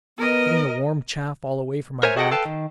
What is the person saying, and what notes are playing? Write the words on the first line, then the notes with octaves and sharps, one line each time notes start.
"Getting the warm chaff all away from my back!"
B3 A#4 D#5
A#4 C5 C#5 E5 G#5
F#4 G#4 A4 D#5 F#5 G5
A4 B4 F5 G5 A5
D#3